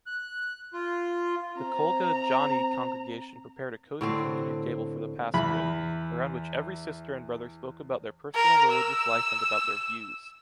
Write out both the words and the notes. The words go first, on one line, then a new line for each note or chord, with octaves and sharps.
The Kolga-Jaani congregation prepared a cozy communion table for the pastorate, around which every sister and brother spoke about their personal religious life and about their views.
F#6
F4
C4 A#5
A2 D3 C4
E2 B5
A#4
E6